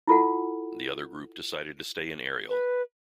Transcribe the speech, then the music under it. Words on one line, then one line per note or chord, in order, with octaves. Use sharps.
The other group decided to stay in Ariel.
E4 F4 A4 F#5
B4